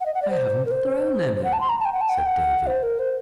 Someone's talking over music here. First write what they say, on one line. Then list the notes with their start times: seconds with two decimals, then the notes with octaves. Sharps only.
"I haven't thrown any," said Davy.
0.01 F#5
0.06 D#5
0.14 F#5
0.22 D5
0.30 C5
0.66 A#4
0.71 C5
1.36 C5
1.44 F#5
1.53 A5
1.61 C6
1.69 A#5
1.80 A5
1.85 G5
1.93 F#5
2.01 A5
2.09 F#5
2.17 G5
2.26 F#5
2.67 C5
2.83 A#4
2.99 C5